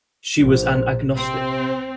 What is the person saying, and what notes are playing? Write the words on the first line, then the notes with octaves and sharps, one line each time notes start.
She was an agnostic.
A#1 C5
C3 C4